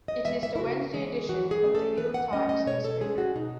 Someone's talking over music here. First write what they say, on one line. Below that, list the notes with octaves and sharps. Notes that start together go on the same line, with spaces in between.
It is the Wednesday edition of "The Hill Times" newspaper.
D#5
E3 G#3 E5
E5
E4
C#3 F#4
E3 G#3 G#4
E3 F#4
G#4
A3 C#4
A4
E3 B4
F#5
A3 C#4 D#5
D#5
B2 C#5
A4
G#3 C#4 G#4
F#4
B2 D#4